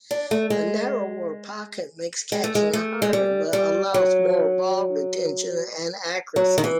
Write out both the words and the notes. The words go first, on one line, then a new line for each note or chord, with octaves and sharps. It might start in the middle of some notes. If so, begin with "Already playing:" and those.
A narrower pocket makes catching harder, but allows more ball retention and accuracy.
D4
A3
G#3
G#3
A3
G#3
A3
G#3
G3
G3
F#3
F#3
D#3
E3